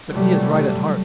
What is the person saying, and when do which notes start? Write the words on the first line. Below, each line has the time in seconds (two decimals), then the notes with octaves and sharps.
But he is right at heart.
0.12 C3 E3 F#3 G3 A3